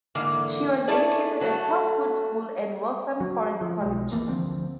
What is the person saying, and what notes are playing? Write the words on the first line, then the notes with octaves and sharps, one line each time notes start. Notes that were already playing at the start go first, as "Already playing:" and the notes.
She was educated at Tom Hood School and Waltham Forest College.
G#2 D3 E3 A#3
A3 E4 G#4 D5 G#5
F#3 A3
F#3
F3
B1 G#3
E3 F3 A3 A#3
D2 F3 C4